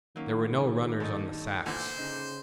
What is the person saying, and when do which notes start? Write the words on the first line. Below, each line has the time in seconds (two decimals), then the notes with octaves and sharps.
There were no runners on the sacks.
0.16 D#3 F#3 A#3 C#4
1.00 F#2 D#4 A4
1.66 A#2 D3 E3 C5
1.98 C#3 D#4